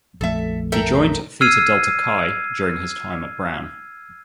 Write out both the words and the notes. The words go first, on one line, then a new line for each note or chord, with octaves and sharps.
He joined Theta Delta Chi during his time at Brown.
A#1 F2 A3 A4 E5
A4 A#4 E5 G5
E6 F6 G#6 C7 D#7